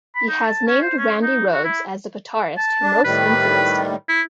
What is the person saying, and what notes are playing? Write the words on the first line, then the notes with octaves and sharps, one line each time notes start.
He has named Randy Rhoads as the guitarist who most influenced him.
B5
D#4
A5
C#4
C5
C#4
D#4
F#4
E4
A5
D4
A2 D#3 G3 B4
E4